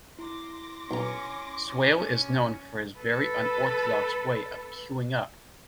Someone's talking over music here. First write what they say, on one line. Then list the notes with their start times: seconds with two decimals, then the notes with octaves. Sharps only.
Swail is known for his very unorthodox way of cueing up.
0.19 E4 C6 D6 A#6
0.91 B1 C#4 A#5
1.69 C#4
2.98 A4 B4